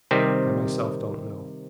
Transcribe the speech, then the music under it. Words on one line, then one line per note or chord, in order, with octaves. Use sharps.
I myself don't know.
C3 D#3 G3 C4